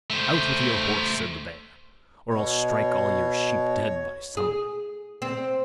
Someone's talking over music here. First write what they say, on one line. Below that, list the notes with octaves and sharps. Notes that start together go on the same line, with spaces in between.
'Out with your horse', said the Bear, 'or I'll strike all your sheep dead by summer.'
A3 C5
B2 C#5
G#4
C4